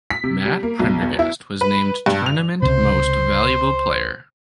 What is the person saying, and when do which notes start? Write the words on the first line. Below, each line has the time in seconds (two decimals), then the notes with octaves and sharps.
Matt Prendergast was named Tournament Most Valuable Player.
0.11 B6
0.24 C3
0.45 G3
0.63 A#3
0.79 B1
1.02 E2
1.19 E4
1.61 B4
2.06 G2
2.26 F7
2.62 C#2 C3 C5 C6